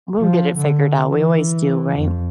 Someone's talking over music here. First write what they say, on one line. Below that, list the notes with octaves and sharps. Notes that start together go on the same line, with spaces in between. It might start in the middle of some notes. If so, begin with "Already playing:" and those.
We'll get it figured out. We always do, right?
F3
D3
E3
F2